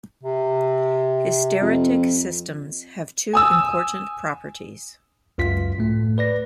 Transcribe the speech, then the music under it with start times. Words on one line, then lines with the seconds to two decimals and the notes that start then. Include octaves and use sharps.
Hysteretic systems have two important properties.
0.23 C3
1.62 F2
3.33 G#5 D#6 E6
5.38 C#2 F#2 F4 B6
5.78 A2 A3
6.18 B4 D5 A#6